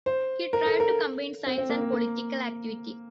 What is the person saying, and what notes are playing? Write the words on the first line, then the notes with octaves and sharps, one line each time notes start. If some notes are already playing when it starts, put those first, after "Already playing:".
He tried to combine science and political activity.
C5
A#4
A4
A#4
C4
C4
A#3
A#3
A#3